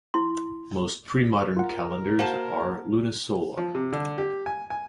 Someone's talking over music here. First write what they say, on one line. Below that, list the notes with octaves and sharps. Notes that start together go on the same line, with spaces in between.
Most pre-modern calendars are lunisolar.
E4 C6
F4 A#4 F#5
A#3 F#4 C5 A5
F3
C3
D3
G4
G#5
G#5